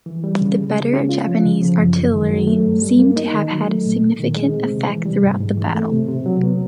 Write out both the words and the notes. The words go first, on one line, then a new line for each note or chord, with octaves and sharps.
The better Japanese artillery seem to have had a significant effect throughout the battle.
E3
G3
C#3
C#3
G#3
C#4
F4
F3
C#3
F3
F#2
F#2
D#3
F#3
A3
G2
G3
A#3
D#4
D#3
F#3
A3
A#2
A#2
D#3
G#3
C4
C3
E3
G3
G#2
G#2
E3
A3
C3
C3
F#3
B3